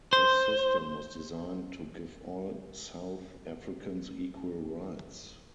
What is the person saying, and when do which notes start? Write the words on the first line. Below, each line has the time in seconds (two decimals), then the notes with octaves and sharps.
This system was designed to give all South Africans equal rights.
0.13 C5